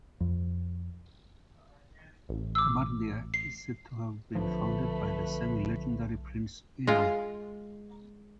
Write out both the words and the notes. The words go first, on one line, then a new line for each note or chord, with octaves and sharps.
Kabardia is said to have been founded by the semi-legendary Prince Inal.
F2
A1
D6 E6
C7
B1 D3 F3 A3 C4 D4 B4
G#3 F4